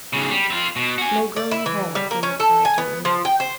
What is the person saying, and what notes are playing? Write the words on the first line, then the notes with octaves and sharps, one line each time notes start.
"No, girl, you haven't," he replied gently.
B1 C#3
G3
C4 F4
B2
F#4 G#5
D5
E4
E3
G3
A#3
C#4
A4
G#5
B3
F3
G5
C5